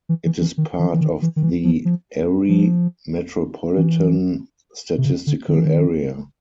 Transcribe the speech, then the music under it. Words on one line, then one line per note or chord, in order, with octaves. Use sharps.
It is part of the Erie Metropolitan Statistical Area.
E3
E3
E3
D#3
E3
E3
D#3
E3
D#3
E3
F3
F3
F3
E3
C3
C#3
D3
D#3
E3
D#3